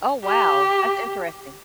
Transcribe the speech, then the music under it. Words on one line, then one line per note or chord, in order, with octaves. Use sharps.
Oh, wow, that's interesting.
G4